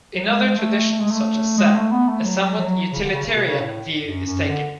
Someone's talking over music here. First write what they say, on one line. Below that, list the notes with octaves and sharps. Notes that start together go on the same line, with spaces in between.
In other traditions, such as Zen, a somewhat utilitarian view is taken.
F#3
G#3
A3
A3
G#3
A3
G#3
A3
B3
A3
F#3
F#3
C#3
D3
C#3
C#3
B2
C#3
A2
F#2
F#2
D3